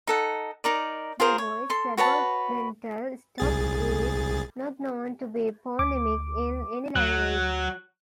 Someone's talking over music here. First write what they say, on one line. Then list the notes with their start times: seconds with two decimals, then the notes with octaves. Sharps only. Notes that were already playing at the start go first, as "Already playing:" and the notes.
The voiced labiodental stop is not known to be phonemic in any language.
0.07 D#4 A4 F#5
0.64 D#4 A#4 D5
1.20 F4 G#4 A#4 C5
1.38 C#5
1.70 A4 C6
1.97 F#4 B4 C#5 A5
3.38 C2 G#4 A6
5.79 D2 D6
6.96 D2 F#3 F#6